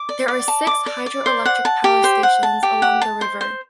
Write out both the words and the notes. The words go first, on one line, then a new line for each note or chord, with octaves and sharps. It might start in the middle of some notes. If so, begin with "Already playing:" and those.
There are six hydro-electric power stations along the river.
Already playing: D6
D5
D5
A5
D6
D5
D5
C5
F#5
A5
G4
C5
F#5
A5
G4
F#5
A5
C5
C5